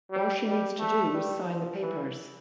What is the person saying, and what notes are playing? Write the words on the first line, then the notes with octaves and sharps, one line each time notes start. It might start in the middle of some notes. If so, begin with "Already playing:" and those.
All she needs to do is sign the papers.
G3
G3
A3
G3
F3
E3